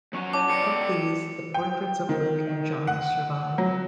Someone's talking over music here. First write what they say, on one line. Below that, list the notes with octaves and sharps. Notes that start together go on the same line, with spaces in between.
Of these the portraits of Luke and John survive.
F#3 C#4 F#4
E4 C#5 A5 D6
A4 D5 G5 C#7
G5
D#3
F#5
F#3